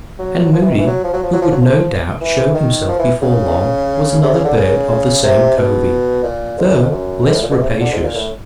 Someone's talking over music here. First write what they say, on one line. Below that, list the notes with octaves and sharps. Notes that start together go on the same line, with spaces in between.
And Moody, who would no doubt show himself before long, was another bird of the same covey, though less rapacious.
F#3
F3
E3
D#3
E3
F#3
F3
F#3
F3
F#3
F3
F#3
F3
E3
D#3
F3
E3
C#3
C3
C#3
D3
C#3
C3
B2
A#2
G#2
F#2
F2
F#2
G#2
A2
A#2
B2
C3
C#3
D3
G#2
A#2
A2